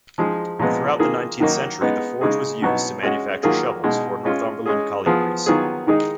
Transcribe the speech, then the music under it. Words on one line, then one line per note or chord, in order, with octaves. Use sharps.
Throughout the nineteenth century the forge was used to manufacture shovels for Northumberland collieries.
F3 G#3 D#4 G#4
A#2 F3 G#3 B3
D#3 A#3 F4 G#4
D#3 F#3 A#3 D#4
G#3 B3 D#4
C#3 G#3 D#4 G#4
B2 F#3 B3 D#4
G#3 C#4 F#4
D#3 F#3 A#3 F4 G#4
B2 G#3 D#4
G#3 C#4 F4
G#3 C#4 G#4
F3 B3 F4 G#4
D#3 F#3 B3 F4 G#4
D#3 G#3 D#4 G#4